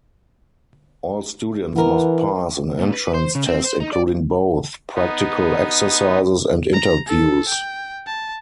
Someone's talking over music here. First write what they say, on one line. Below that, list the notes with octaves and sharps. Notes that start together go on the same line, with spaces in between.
All students must pass an entrance test including both practical exercises and interviews.
E3 B3 A#4
A#2
B4
C5
C#3
C4
C5
D#4
D5
B3 D#4
A#5
A4
G5
A5